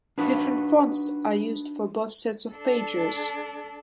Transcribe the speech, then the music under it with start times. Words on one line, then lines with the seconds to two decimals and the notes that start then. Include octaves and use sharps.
Different fonts are used for both sets of pages.
0.18 D4 D#4 F#4 B4
2.52 D4 A4